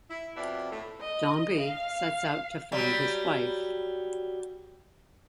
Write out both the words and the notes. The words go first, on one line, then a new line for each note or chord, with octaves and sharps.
Dombey sets out to find his wife.
E4
F2 B2 D5 E5
A2 A3
D#5
F5
F#3 G3